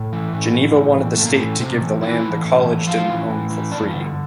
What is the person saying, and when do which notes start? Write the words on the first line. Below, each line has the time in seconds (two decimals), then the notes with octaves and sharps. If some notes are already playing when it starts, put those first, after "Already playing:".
Geneva wanted the state to give the land the college didn't own for free.
Already playing: A2
0.13 E3
0.33 A2
0.55 E3
0.76 A2
0.97 E3
1.18 A2 A3
1.25 A#3
1.33 A3
1.40 E3
1.60 A2 C3 C4
1.82 E3
2.02 A2 E3 E4
2.24 E3
2.44 A2
2.65 E3
2.86 A2 F3 F4
3.08 E3
3.29 A2
3.51 E3
3.71 G2 D4 D5
3.93 D3